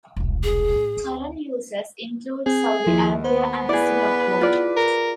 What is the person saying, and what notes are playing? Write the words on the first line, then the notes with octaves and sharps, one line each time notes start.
Current users include Saudi Arabia and Singapore.
E1 C2
G#4
A2
D2
C4 G#4
D#2 F3 E4
B3 C5
E4 G#4 B4 D5
F4 D5
A#4